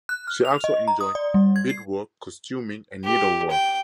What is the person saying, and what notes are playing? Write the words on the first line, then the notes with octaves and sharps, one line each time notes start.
She also enjoys beadwork, costuming, and needlework.
F#6
F6
F7
D#5
A#5
D#6
D5
G3
G#6
C7
G4
G5